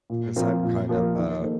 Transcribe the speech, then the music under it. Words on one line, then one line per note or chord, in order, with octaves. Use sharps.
'cause I'm kind of a
A#2
F3 C4 F4 A#4
A#2
F3 A#3 F4 A#4
D#3
A#3 D#4 A4 C5